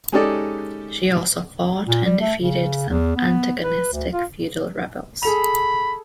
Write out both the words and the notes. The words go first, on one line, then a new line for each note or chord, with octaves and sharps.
She also fought and defeated some antagonistic feudal rebels.
G#3 C#4 D#4 G4 A4 D5
A#2
G3
A3
C#3
E2
B3
B4
D2
F4
G#4 A4 B5 F7